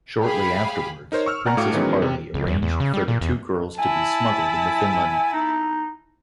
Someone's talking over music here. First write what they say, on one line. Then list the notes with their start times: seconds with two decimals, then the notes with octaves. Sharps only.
Shortly afterwards, Princess Paley arranged for the two girls to be smuggled into Finland.
0.20 G4 G#4 F5 B5
1.12 D#4 A#4 C5 C#5
1.26 C#6 E6 F6
1.45 D5 F#5 G#5 A#5 C#6
1.57 A2 A3 F#4 F5 D6 C#7
1.73 D#3 E3 F#3 G#3 B3 C#4
2.02 C3
2.34 C#2
2.47 E2
2.62 E2
2.80 C#3
2.94 G3
3.08 A#2
3.21 E2
3.79 E4 G#5 A5
5.33 D#4